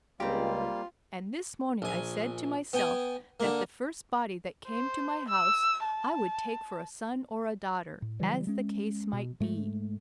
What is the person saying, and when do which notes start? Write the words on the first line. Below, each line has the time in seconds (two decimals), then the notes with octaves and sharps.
And this morning I said to myself that the first body that came to my house I would take for a son--or a daughter, as the case might be.
0.20 C#2 G3 A#3 C4 F4 G4
1.82 A#1 G#5
2.73 B3 G5 G#5
3.40 D3 A#3
4.68 C5
5.29 E6
5.84 A5
8.02 A2
8.20 C#3 E3 F#3 G3
8.47 G#3 C#4
9.13 B2
9.40 G#2 G#3 A3